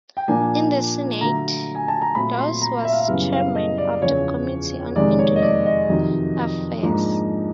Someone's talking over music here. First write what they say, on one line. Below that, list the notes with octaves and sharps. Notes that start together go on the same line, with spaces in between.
In the Senate, Dawes was chairman of the Committee on Indian Affairs.
G5
A#2 F3 A#3 D4 G#5
D3 F#3 A3 A#5
G#5
A5
A#5
A#2 F#3 A3 C4 B5
C6
A#5
E5
F5
E5
F#2 C#3 E3 G3 B3 F5
F5
D#5
D5
E2 C#3 F3 C#5
F2 C3 D#3 G#3 D5
C#5
D#5
D5
D#5
F2 C3 D#3 F#3
G#2 F3 A#3 D4